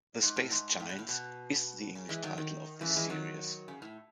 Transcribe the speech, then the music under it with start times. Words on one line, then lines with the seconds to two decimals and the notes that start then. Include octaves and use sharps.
"The Space Giants" is the English title of this series.
0.23 G#2
0.36 A2
0.51 G#2
0.80 A2
0.89 B2
0.99 A2
1.09 B2
1.95 C#3
2.09 E3 G#3
2.23 D#3 F#3
2.38 D#3
2.81 C#3 E3
2.90 A3
2.96 E3 G#3
3.10 D#3 F#3
3.68 C#3
3.82 A2